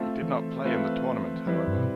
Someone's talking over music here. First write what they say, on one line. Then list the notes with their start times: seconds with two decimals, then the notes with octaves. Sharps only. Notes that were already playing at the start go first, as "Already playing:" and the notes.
He did not play in the tournament, however.
Already playing: A3 C4 F4 A4 E5
0.22 E3
0.65 A3 C4 F4 B4 E5
1.46 F3 G3 C4 E4 B4
1.56 E3
1.67 G2
1.78 B2